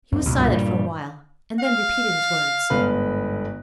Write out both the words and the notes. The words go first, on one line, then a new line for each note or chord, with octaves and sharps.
He was silent for awhile, and then repeated his words.
G2 C4
C#2 B2
G2 A#2
G3
F5
G1 G#2 B4